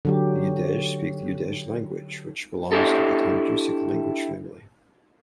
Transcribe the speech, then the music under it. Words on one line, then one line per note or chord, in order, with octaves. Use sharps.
The Udege speak the Udege language, which belongs to the Tungusic language family.
D3 F#3 G4
D4 E4 G4 A4